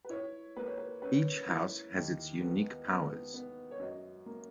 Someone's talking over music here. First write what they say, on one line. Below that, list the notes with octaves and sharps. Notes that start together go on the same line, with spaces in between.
Each house has its unique powers.
B4
E4 C#5
A#3 B4
C#5
B4
C#4 B4
E4
D#2
B3
B3
B3
C#5
F#2 D#5
A#3